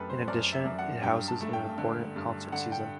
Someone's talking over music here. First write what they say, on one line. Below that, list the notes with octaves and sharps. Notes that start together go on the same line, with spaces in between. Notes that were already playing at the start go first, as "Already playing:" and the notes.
In addition, it houses an important concert season.
Already playing: F#2 A3 G4 A4 B4
C5
F#2 D5
E5
F#2
F#5
G2 G5
A5
A3
G5
D3
G2
D3 F#5
G5